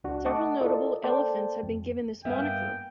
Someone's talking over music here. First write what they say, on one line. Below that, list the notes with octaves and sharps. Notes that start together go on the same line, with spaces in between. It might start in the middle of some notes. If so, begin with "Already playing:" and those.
Several notable elephants have been given this moniker.
C#2 D4 F#4
A3 D#5 F#5 A5 C#6 D6
E4 F4 A4 A#4 D5 D#5
A#3 A4 C5 D5 G5 A5
F2
G2 A#3 B3 E5 F5 G5 G#5